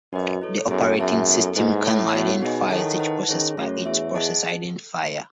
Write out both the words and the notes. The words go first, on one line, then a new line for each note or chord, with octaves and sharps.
The operating system kernel identifies each process by its process identifier.
F#2 F#4 B4 D#5
E4 A4 C#5
F#2 B3 E4 G#4
F#2 G#4 C#5 E5 A5
B3 E4 A4
G#2 E4 B4 D#5 F#5
A2 E4 A4 C#5
B3 F#4 C#5 F#5
B2 D#4 G#4 D#5 G#5
D#3 E4 A4 C#5 F#5 A5
E4 B4 F#5 A5
D#3 C#4 G#4 C#5
F#2 A3 C#4 F#4 C#5
E2 G#4 C#5 E5
G#4 D#5 F#5 A5